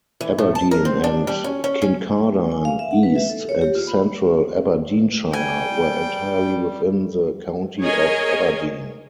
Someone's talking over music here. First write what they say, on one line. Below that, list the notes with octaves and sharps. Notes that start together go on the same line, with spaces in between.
Aberdeen and Kincardine East and Central Aberdeenshire were entirely within the county of Aberdeen.
E3
A2
A5
A#4
C4
D4
G3
C#4
C#4
C#4
G#5
F5
E5
F#5
B4
E5
A4
C#5
G4
F4
B5
G3 G5 G#5
G#4 A#4 C#5 D#5 G#5